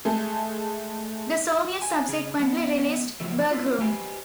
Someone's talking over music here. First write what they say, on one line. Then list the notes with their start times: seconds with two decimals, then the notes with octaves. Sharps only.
The Soviets subsequently released Barghoorn.
0.05 G#3 A3 G#4
1.82 G#5
2.08 C#3 G#4
2.39 G#3 B3
3.20 A2 C#3 F3 F#3 A3
3.51 E4 F4
3.80 G4 B4 C5 G#5